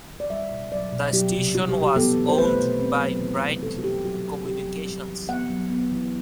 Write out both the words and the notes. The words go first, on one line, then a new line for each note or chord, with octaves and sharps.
The station was owned by Pride Communications.
E3
D5
G3 E5
B2
F#3 D5
B2
F#3 G4
C3
G3 F#4
G4
E3
G4
B3 A4
E3
C5
A3 B4
B2
C4
F#3
E3
C3
G3 A4
F#4
D3 G4
F#3 F#4
D3
C4 G4
F#3
G3
E3
B3 F#5
F#3
B3
E3